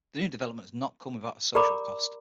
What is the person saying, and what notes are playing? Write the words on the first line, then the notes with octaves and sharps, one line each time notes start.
The new development has not come without a social cost.
G4 A#4 D5 A#5 B5 D6